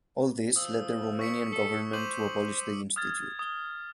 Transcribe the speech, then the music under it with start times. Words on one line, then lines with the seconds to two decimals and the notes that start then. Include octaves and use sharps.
All this led the Romanian government to abolish the institute.
0.56 F3 D#6 E6
1.19 C#6 B6 C#7
1.52 A4
1.93 C5 D6 D#7 F#7
2.96 D#6 F6 G#6 A6
3.39 D#6 G7